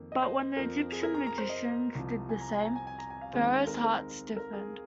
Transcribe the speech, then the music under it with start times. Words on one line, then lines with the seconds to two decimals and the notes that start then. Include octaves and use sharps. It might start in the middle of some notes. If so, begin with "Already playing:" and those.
But when the Egyptian magicians did the same, Pharaoh's heart stiffened.
Already playing: F2 D#3 A#3
0.12 D#5
0.23 C5
0.57 F2 F3 C4 A#4
0.92 G#4
1.03 A#4
1.15 A#5
1.27 A#5
1.38 C5
1.49 D#5
1.95 C2 C3 F3
2.29 G#5
2.41 A#5
2.53 G#5
2.64 A#5
2.76 G#5
2.87 G#5
2.99 A#5
3.10 G#5
3.21 F5
3.33 D#2 D#3 G#3 C4
3.67 A#4
3.84 A#4
4.36 A#4
4.53 G#4